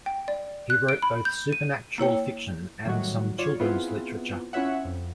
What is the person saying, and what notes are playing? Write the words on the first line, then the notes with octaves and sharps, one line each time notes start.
He wrote both supernatural fiction and some children's literature.
G5
D5
F#6
D7
B5
G6
D#7
A#3 E4 C#5 G5
A2 D#3 F#3 G3 F#4
F4 C#5 D5
B3 C4 E4 F4 G#4 B4
C#4 E4 F4 C#5 E5 F#5
F2